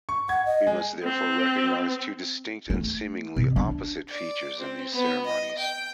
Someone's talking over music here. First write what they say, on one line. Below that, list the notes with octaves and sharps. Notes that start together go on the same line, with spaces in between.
We must therefore recognize two distinct and seemingly opposite features in these ceremonies.
C#6
F#5 G#6
D#5
G#3
C4
A3
C3
D4
D5
C4
B3
D#5
G5